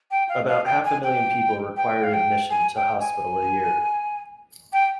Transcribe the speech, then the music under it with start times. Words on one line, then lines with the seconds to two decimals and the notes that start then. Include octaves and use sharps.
About half a million people require admission to hospital a year.
0.11 G5
0.29 F5
0.48 F5
0.65 G5
0.85 G#5
1.03 G5
1.77 G5
2.04 F5
2.14 G5
2.50 G#5
2.76 G5
3.00 G#5
4.73 G5